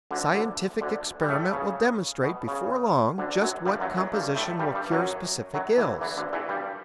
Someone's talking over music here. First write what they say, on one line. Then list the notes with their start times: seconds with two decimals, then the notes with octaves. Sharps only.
Scientific experiment will demonstrate before long just what composition will cure specific ills.
0.11 D2 D3
0.34 D2 D3
0.81 D2 D3
1.21 G3
1.29 A2 A3
1.52 C#3
2.23 B2
2.47 C#3
3.18 D2 D3
3.42 F#2 F#3
3.65 G2 G3
3.80 F#2 F#3
3.97 F#2 F#3
4.12 G2 G3
4.36 A2 A3
4.59 G2 G3
4.75 G2 G3
4.91 F#2 F#3
5.54 F#2 F#3
5.78 E2 E3
6.01 E2 E3
6.17 D2 D3
6.33 E2 E3
6.49 G2 G3